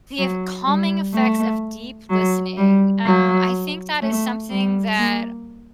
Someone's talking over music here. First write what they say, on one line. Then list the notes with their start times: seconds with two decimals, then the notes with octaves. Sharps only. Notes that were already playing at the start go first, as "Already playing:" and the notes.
The ef calming effects of deep listening. Um, I think that is something that,
0.18 F#3
0.66 G3
1.14 A3
2.10 F#3
2.58 G3
3.06 F#3
4.02 A3
4.50 G3
4.98 A#3